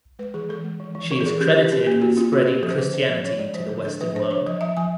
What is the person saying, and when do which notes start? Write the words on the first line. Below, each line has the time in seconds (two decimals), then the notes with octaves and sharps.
She is credited with spreading Christianity to the western world.
0.19 G#3 B4
0.34 E3 G#4
0.49 E3 A4
0.65 G#3
0.80 E3
0.95 E3
1.11 E3 A#4
1.21 A4
1.26 E3 G#4
1.41 C#4 G4
1.56 C#4 G4
1.72 C#4 G4
1.87 A#3 G4
2.02 A#3 F#4
2.17 C#4 F4
2.33 C#4 F#4
2.47 C#4 G4
2.63 F3 A4
2.71 C5
2.78 D3 B4
2.94 F3 C5
3.09 F3
3.25 C#4 C#5
3.39 G#3 D5
3.54 F3 C5
3.69 D3 A4
3.85 D4 A4
4.01 F3 B4
4.15 D4 C5
4.31 D4 C#5
4.46 F3 D#5
4.61 F3 E5
4.77 F3 G#5